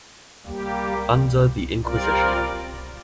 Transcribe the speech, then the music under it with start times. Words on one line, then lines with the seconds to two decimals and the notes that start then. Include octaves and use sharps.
Under the Inquisition.
0.45 G3 A#3 G4
1.84 G3 C4 F4 A#4 D5